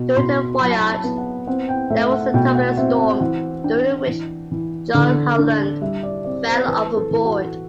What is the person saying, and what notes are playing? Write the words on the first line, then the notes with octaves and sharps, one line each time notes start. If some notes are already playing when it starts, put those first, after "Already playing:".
During the voyage there was a turbulent storm during which John Howland fell overboard.
Already playing: B2
B2 C6
F#3 B5
A5
B5
A5
B3
F#5
C4 F#5
G5
A3 E5
F#5
B2 G5
F#5
C4 E5
F#5
E3 F#5
D4 G5
E3
E3
D3
D4
G3 E5
D5
C4 D5
C5
E3 B4
A4
E3
F#4